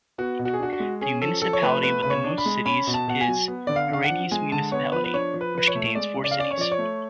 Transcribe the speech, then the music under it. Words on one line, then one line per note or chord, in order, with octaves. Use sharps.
The municipality with the most cities is Paredes Municipality, which contains four cities.
B3 F#4
B2
F#4
G#4
D4 F#4
F#4
G#3
C#4 G#4
F3 A4
F3 A4
C#5
A3 B4
B3 B4
C#3 B4
C#5
D4
B5
G#3
C#4 B5
B2
A5
B2 F#5
G#5
F#3
B3
D3 D5
F5
D4 F5
F#5
F3
G#3 G#5
D3 A5
B3 C#5
F3 B4
B4
D4 C#5
F3
B4
F3 B4
C#5
A3
G#3 D5
C#3
D5
F5
C#4 D5
C#5
F3 D5
C#5
A3